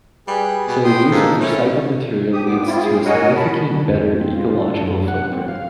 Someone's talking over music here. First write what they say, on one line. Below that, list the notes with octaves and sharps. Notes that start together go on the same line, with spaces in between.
So the use of recycled material leads to a significant better ecological footprint.
G3 G#4 B4
B2
A2 G5 C6 D#6
G#2 A#3 D#4 A4
C#4 E4
D2 G4 D#6
F2 A#2 B3 D6
C4 E4 F4
G#4
A#4 C#5 D#5 F#5 G#5
A5 B5
D3
F2
C4
F4
A4
F#2
F#5
C4
F5